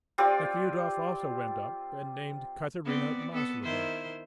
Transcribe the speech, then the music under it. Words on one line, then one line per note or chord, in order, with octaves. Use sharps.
Nekhludoff also went up, and named Katerina Maslova.
G3 C4 F4 D5
B3 C4 D5
B3 A4
D#3 E4 C5